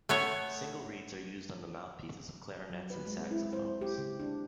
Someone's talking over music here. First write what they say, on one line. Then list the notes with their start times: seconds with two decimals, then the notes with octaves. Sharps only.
Single reeds are used on the mouthpieces of clarinets and saxophones.
0.09 A3 B3 C#5
2.70 F#3
2.90 B4
3.07 G#3
3.19 C4
3.31 E4
3.53 C5
3.81 G4
3.98 C#3
4.20 D4